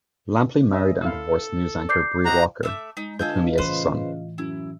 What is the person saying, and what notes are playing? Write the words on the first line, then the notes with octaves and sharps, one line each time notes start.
Lampley married and divorced news anchor Bree Walker, with whom he has a son.
C#4 D#5 E5
E4 A4 F5
D5 D6 G6 C7
C4 F#4 D#5 A#5
A3 E5 D6
G#3 D#4
D3 F4 G#4 A4 D#5 F5 G6
A2 C#3 E3 B4 C5
F#2 E4